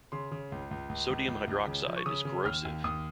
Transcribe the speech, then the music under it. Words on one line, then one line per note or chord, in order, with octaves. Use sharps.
Sodium hydroxide is corrosive.
C#3 C6
C#3
C#2
C#2
C#2
C#2
C#2
C#2
C#3
F3
C#6
C#3 D#6
C#3
D#2 F6
D#2
D#2 D#6